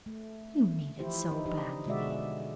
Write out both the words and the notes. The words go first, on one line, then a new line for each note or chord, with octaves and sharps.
You need it so badly....
A3
E3 F3 E4 G4 C5
D#4
D4 D#4 G4
B2 D3 G#3 F#4 D5 E5